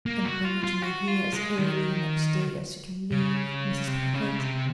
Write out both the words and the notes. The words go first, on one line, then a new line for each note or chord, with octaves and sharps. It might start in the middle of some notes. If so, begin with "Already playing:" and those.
"And bring it to me here as early the next day as you can leave Mrs. Packard?"
A#3
F#4
F4
F4
F#4
F4
G#3
D#3
C#3
C3
C#3
C3